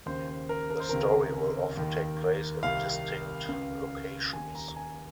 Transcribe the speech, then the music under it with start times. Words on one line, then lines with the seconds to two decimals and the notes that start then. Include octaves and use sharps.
The story will often take place in distinct locations.
0.06 D#2 C#3 C5
0.27 C5
0.49 A#4
0.70 A#4
0.80 C5
0.89 C#2 C3 D#3 A#4
1.77 D#2 D#3
2.63 C2 C3 D#3 F5
3.49 C#2 C#3
4.33 D#2 C#3 G#5
4.55 A#5
4.76 G#5